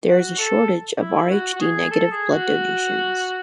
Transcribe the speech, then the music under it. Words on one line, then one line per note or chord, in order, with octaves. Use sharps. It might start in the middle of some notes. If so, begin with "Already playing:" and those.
There is a shortage of Rhd-negative blood donations.
F#4
A4
E4
F#4
F#4
G#4
A4
G#4
F#4